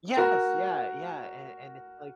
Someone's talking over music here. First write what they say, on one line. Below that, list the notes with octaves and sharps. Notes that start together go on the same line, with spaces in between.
Yes! Yeah, yeah and and it's like
F#4 A#4